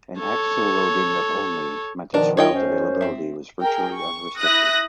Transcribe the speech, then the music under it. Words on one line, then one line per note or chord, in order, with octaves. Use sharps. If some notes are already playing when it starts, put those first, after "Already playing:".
An axle-loading of only meant its route availability was virtually unrestricted.
A4 C#5
B2 D#3 F3 D4 A#4
D#3 F4 C#5 D#5 G5
F#2 C#4 C5
C4 E5
G#4 A#4 G5
C#6
E4 D#6 F#6 A#6